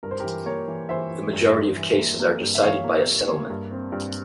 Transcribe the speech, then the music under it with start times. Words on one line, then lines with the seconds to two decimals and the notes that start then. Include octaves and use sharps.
The majority of cases are decided by a settlement.
0.03 G2 A#4
0.11 C5
0.19 G4 A#4
0.24 E3
0.46 A#3 A#4 C#5
0.68 E3
0.89 E3 C5 E5
1.11 E3
1.33 G2
1.55 G2
1.77 E3
1.98 A#3
2.20 A#3
2.41 G2
2.55 E5
2.62 E3 C#5 F5
2.84 A#3
3.06 A#3
3.27 A#3
3.50 G2
3.71 C4
3.92 G2